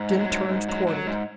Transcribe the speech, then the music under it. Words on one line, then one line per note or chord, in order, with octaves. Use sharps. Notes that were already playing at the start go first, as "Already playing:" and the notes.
Jim turned toward it.
Already playing: G#2
F#3
G#2
G#2
F#3
F#3
G#2